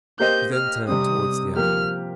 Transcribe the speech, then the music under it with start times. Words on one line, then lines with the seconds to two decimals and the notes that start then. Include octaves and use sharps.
She then turned towards the avenue.
0.19 A#3 G4 C5 D#5 G6
0.54 F6
0.88 C3 G3 C4 D#6
1.56 F3 A#3 G4 F6